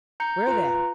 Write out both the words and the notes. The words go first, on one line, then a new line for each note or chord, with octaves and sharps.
Where then?
A#5 G6 C#7
F4 B4 A#5